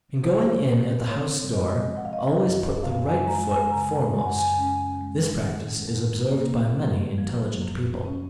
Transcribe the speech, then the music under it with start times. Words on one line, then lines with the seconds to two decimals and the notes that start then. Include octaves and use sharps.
In going in at the house door, always put the right foot foremost. This practice is observed by many intelligent people.
0.23 F3 C5
0.30 C#5
0.38 C5
0.66 C3
1.09 C4 C#5
1.53 G#3 D#5
1.97 F3 F#5
2.05 F5
2.13 D#5
2.22 F5
2.40 F#2
2.83 F#2 F5
3.06 G#5
3.27 G#3 A#5
3.49 G#5
3.70 C#3 A#5
4.14 F#2 G#5
4.26 F#5
4.36 G#5
4.58 C#4
5.01 G#3
5.44 D#3 F#5
5.88 F2
6.31 A#3
6.75 F#3
7.18 F3
7.61 F#2
8.05 C#4